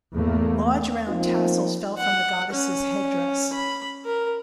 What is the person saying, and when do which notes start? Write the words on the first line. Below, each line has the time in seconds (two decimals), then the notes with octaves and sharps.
Large round tassels fell from the goddess's headdress.
0.14 E2 G#2 A3 A#3
1.08 F3 A#3 C4 D#4 F4
1.98 F#5
2.53 C#4
3.53 B5
4.05 A#4